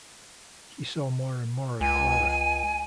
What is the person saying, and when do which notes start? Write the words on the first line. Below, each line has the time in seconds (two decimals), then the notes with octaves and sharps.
He saw more and more of Clara.
1.81 C#2 G#5